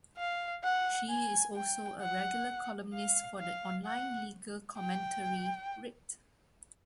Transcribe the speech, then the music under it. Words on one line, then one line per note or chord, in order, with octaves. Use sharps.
She is also a regular columnist for the online legal commentary "Writ".
F5
F#5
G#5
G5
F#5
F5
F5
F#5
G5